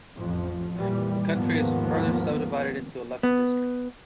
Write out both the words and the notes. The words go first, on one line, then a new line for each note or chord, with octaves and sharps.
The country is further sub-divided into eleven districts.
A1 F2 F3
A#2 E3 G3
D#2 G#2 D#3 F3 A#3 B3
B3